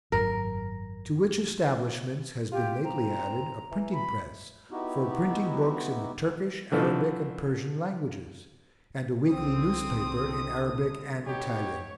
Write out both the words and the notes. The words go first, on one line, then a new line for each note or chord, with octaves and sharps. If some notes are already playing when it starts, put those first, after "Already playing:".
To which establishments has been lately added a printing press, for printing books in the Turkish, Arabic and Persian languages, and a weekly newspaper in Arabic and Italian.
G#1 F#2 A#4
F4 G4
C4 A#5
E3
B5
B3 D#4 E4 F#4 G4
D3 E3 F3 A3
C2 D3 C4 D#6
B2 D#4 G4 C#5